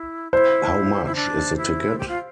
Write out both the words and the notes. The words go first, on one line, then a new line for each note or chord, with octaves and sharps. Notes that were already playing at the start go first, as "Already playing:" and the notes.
How much is the ticket?
Already playing: E4
E4 C5
E4
D4
E4
G4
F4